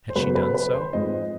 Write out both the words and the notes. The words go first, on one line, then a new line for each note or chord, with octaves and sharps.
Had she done so?
C5
C#3 F#3 B3 B4
B4
B4
C5
G#2 F3 G#3 C4 D#5